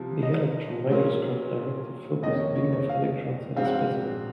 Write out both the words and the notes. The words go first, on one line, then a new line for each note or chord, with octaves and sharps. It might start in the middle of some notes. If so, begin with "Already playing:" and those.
The electron microscope directs a focused beam of electrons at a specimen.
Already playing: C2 C3 F3
D#5
A#1 A#2 F#3 A#3 C#4
F2 D#3 A#3 C#4 D#5
C#5
C#5
C#5
F5
A#1 G#2 F#3 C4 F5
F#5
F5